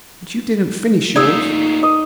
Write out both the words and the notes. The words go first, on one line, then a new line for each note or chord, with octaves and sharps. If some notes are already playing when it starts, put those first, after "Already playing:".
But you didn't finish yours.
A3 A#3 D#4 F4 D5 D#6 E6
D#5